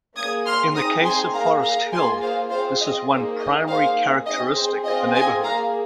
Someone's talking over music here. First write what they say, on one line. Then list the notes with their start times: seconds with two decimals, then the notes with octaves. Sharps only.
In the case of Forest Hill, this is one primary characteristic of the neighbourhood.
0.16 A#3 G#4 D#6 G#6
0.46 C6 F6
0.74 C4 D#4 G#4 A#5 D#6
1.04 G#5 C6
1.33 A#3 G#4 F5 A#5
1.62 F5 A#5
1.92 A#3 F4 G#4 G#5 C6
2.21 C5 F5
2.50 C4 F4 G#4 C5 F5
2.79 D#5
3.09 A#3 D#4 G#4 C5
3.39 D#5
3.68 A#3 D#4 G#4 C5 F5
4.26 C4 G#4 D#5
4.56 C5
4.85 C4 F4 G#4 D#5
5.14 D#5 G#5
5.43 A#3 G#4 F5 A#5